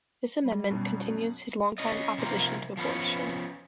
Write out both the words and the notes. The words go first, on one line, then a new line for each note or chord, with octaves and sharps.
This amendment continues his longtime opposition to abortion.
G3
F#2 B2
C#4 D#5
C3 F3 A#3 F4
F3 B3 C#4